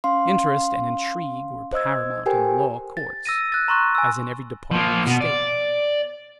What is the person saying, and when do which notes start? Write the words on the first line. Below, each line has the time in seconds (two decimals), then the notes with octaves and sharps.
Interest and intrigue were paramount in the law courts, as in every department of state.
0.04 C#4 F5 C6
1.73 C5 D#5 E6 G#6
2.26 G4 A4 A#4 C5 G5 G#5
2.97 A6
3.26 E6 A#6 D#7
3.52 F#6 A6
3.68 A#5 C6 C#6 F#6
3.95 G#5 E6
4.71 F3 A#3
5.07 B2
5.21 D5